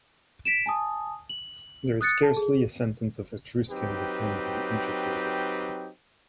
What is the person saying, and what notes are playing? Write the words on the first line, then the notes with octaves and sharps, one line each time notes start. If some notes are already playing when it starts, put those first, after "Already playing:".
There is scarcely a sentence of Etruscan that can be interpreted.
B6 D7 E7
G#5 A5 D#6
F#7
D#6 F#6 A6 C#7
A4 A5
G#4
F#3 C4 D#4 G4 B4